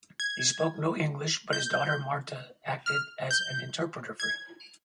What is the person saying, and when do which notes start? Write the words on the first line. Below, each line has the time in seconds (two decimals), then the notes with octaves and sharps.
He spoke no English, but his daughter Marta acted as an interpreter for him.
0.20 G#6
1.53 G6
2.86 F6
3.31 G6
4.20 G#6